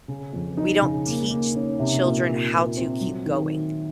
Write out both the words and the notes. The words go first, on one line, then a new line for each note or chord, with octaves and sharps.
we don't teach children how to keep going.
C#3
F2
D#4
C#3
A#3
A#3
C#4
C3
A#2
A#2
A#2
C4
F#3
D#3